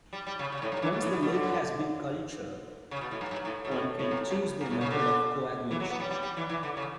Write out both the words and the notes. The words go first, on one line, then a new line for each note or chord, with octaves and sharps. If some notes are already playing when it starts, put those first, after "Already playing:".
Once the milk has been cultured, one can choose their method of coagulation.
G3
G3
C#3
C#3
A2
G2
E3
B2
A2
A2
B2
D3
C#3
B2
A2
G2
G2
A2
B2
A2
A2
G2
F#2
G2
A2
C#3
D3
E3
F#3
B3
G3
G3
G3
E3
E3
D3
C#3